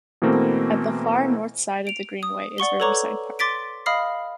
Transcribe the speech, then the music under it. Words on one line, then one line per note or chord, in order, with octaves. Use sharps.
At the far north side of the Greenway is Riverside Park.
B2 E3 A3 A#3 C4
D7 F7
D#6
D5 F#5 C#6 G7
A4 B4 C#5 A#5 C#6 D6
C6 D6 A6 B6 D7
D#5 F5 B5 D#6 F6 C7